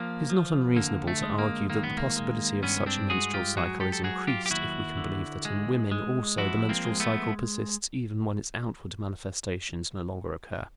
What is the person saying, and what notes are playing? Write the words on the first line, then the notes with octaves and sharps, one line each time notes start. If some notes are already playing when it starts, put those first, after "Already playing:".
It is not unreasonable to argue that the possibility of such a menstrual cycle is increased, if we can believe that in women, also, the menstrual cycle persists even when its outward manifestations no longer occur.
Already playing: F3 A#3
F3
D3 A#3
A3
G#3
A#3
D#3 A#3
B3
A#3
G#3
G2 B3 C#4
C4 D4
G#3 F#4 G#4
F4 G4
F#3 F#4 G#4
G4 A4
A4
F#3 F#4 G#4
F4 G4
G4
D#2 E4 F#4
D3
G#3
G#3
F3 E4 F#4
A#3 C4
G#3
A3 B3